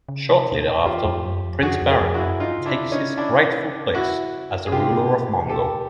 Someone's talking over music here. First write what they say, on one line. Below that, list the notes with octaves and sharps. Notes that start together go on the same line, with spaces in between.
Shortly thereafter, Prince Barin takes his rightful place as the ruler of Mongo.
C#3
C3
B2
A2
A#2
E2 F4 G4
F2
F#2
F2
F2 F#4 G#4
F2
G#4 A#4
F2
E4 F#4
F#2
G2 D#4 F4
C#3
D4 E4
D3
C#4 D#4
C#3
D4 E4
E4 F#4
G#4
C3 F4 G4
C3
B2
C3
B2 G4 A4